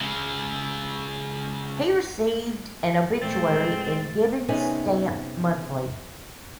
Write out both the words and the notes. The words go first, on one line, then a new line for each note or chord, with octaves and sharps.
He received an obituary in "Gibbons Stamp Monthly".
C#3 G#3
A#2 E3 G#3 A3 C4 A6
C3 B3 C#4 D#4 G#4 G#5